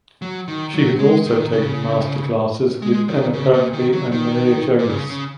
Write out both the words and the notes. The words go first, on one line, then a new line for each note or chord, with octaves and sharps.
She has also taken master classes with Emma Kirkby and Maria Jonas.
F#3
D#3
F#3
G#3
D#3
C#3
G#3
D#3
C#3
A#2
D#3
F#3
D#3
A#2
C#3
C#3